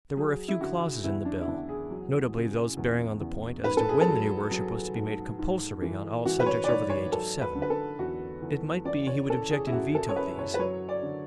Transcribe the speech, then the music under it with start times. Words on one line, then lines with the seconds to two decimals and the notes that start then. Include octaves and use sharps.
There were a few clauses in the Bill--notably those bearing on the point as to when the new worship was to be made compulsory on all subjects over the age of seven--it might be he would object and veto these.
0.17 F#3 G#4
0.48 E4
0.61 D3 F#4
1.04 E2 E4
1.25 D4
1.41 E4
1.47 E2 D4
1.69 G#4
1.91 F#3
2.35 C#3
2.77 E2
3.21 E2
3.64 G#2 B4
3.77 A4
3.89 G#4
4.01 A4
4.08 F#3
4.51 F#3
4.95 G#2
5.39 G#2
5.82 E3
6.25 E3 F#4
6.40 B4
6.46 C#5
6.64 D5
6.68 G#2 C#5
6.90 C#5
7.12 F#3 A4
7.41 B4
7.55 D3
7.62 B4
7.70 A4
7.99 E2 F#4
8.42 E2
8.85 E3 D5
9.07 C#5
9.30 C#3 A4
9.51 G#4
9.67 E4
9.72 F#2 F#4
9.95 A4
10.09 C#5
10.16 F#2 B4
10.38 C#5
10.54 B4
10.59 F#3 C#5
10.89 D5
11.02 D3